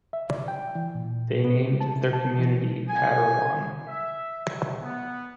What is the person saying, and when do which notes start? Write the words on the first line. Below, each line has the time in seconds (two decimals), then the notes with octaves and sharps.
They named their community Parowan.
0.13 E5
0.30 D5
0.48 G5
0.75 E3
0.95 A#2
1.45 B3
1.81 A5
1.96 C3
2.13 A5
2.38 E3
2.88 G#5
3.88 E5
4.82 B3